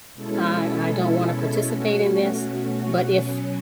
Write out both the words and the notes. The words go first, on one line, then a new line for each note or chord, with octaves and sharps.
"I I don't wanna participate in this," but if
B2 G#3 C#4 E4 A4
B2 A3 C#4 F#4
B2 F#3 C#4